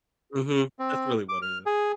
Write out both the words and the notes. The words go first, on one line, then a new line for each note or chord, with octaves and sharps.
Mhm. That's really what it is.
C4
D6
F6
G#4